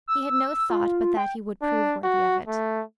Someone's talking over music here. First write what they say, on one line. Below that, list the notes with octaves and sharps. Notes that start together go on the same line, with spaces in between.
He had no thought but that he would prove worthy of it.
E6
F4
G5
D4
F#4
A3